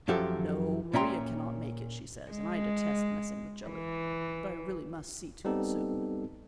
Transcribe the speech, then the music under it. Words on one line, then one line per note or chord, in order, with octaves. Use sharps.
"No. Maria cannot make it, she says, and I detest messing with jelly. But I really must see to it soon."
F#2 F3 F#3 G4 A4 E5
A#2 C#4 E5 G5 A#5 C6
G#3
E3
G3 B3 C4 D#4 G4 A4